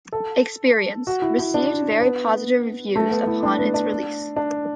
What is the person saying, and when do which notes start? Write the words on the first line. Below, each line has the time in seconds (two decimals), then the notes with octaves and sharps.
"Experience" received very positive reviews upon its release.
0.12 A4
1.07 F#4
1.22 E4
1.39 E4
1.54 D4
2.01 B3
2.96 A3
3.11 B3
3.27 E4
3.43 D4
3.59 B3
3.74 D4
4.36 D4